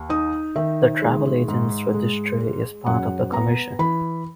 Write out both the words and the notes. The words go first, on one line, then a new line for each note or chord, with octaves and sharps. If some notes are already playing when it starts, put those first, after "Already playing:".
The Travel Agents Registry is part of the commission.
Already playing: D#2
D#4 D#6
D#3 E5
G#3
G#2
G#3
G#3
F#2 F#5
B3 A#5
E3 B5